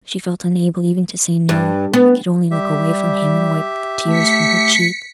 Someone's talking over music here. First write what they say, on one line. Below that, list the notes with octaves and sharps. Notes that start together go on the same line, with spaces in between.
She felt unable even to say "no," but could only look away from him and wipe the tears from her cheek.
G2
B3
G3 G4 E5
A3 B6 C#7